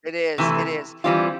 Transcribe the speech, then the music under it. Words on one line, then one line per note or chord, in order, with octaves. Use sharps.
It is, it is
C3 E3 A3
E3 G3 C4 F4